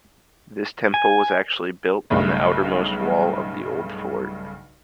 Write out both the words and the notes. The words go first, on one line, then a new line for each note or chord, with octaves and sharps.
This temple was actually built on the outermost wall of the old fort.
G#5
B1 G2 C#3 A3